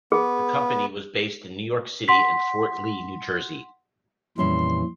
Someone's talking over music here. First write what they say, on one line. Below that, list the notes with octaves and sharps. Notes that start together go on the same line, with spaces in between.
The company was based in New York City and Fort Lee, New Jersey.
B3 G#4
F#5 C6 B6
F2 A#2 E3 G3 C#4 E4 C6